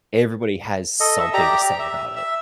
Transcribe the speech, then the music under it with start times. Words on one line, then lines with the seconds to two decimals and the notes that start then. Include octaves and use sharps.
everybody has something to say about it,
1.00 A4 D#5
1.20 E5
1.34 G4 D5 A#5
1.79 E5
2.16 E5